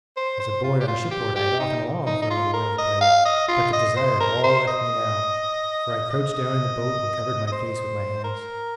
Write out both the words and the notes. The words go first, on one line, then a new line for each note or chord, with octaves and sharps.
As a boy on shipboard I had often longed for a little whale to play with, but the desire had all left me now, for I crouched down in the boat and covered my face with my hands.
C5
C5
F4
G4
F4
G4
G4
D#4
D#4
D#4
F4
A#4
D#5
F5
D#5
F4
D#5
C5
A#4
C5
D#5
D#5
D#5
C5
A#4